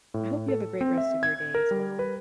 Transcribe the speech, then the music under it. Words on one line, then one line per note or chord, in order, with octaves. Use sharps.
I hope you have a great rest of your day as well.
A2
A4
C4
E5
G#6
A#4
G3
B4